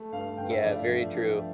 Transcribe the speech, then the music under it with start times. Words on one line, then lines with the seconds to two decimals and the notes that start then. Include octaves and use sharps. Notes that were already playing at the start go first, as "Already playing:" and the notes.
Yeah, very true.
Already playing: A3
0.12 G2 F5
0.38 G2 G5
0.51 E5
0.63 F3 D5
0.76 F5
0.88 F3
1.13 G2